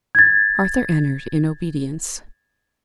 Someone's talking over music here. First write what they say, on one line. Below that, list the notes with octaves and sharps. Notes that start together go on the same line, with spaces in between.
Arthur entered, in obedience.
G#6 A6